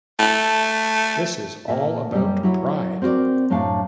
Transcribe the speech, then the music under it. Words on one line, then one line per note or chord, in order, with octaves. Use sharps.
This is all about pride.
A3
A#2 A4 E5
F#2 G3 A#3 G4
F#3 E4 C#5
C4 F#4 A#4 C5 D5
F#2 A2 A3 D4 F5